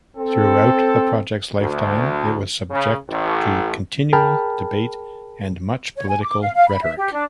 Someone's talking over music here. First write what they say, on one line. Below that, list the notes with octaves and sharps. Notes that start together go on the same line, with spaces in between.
Throughout the project's lifetime it was subject to continual debate and much political rhetoric.
C4 A4
D2
C#3
A1
G#4 A#4 G5 A5 B5 F6
C#5
G#5
D6
F5
F5
B5
E5
G4
D4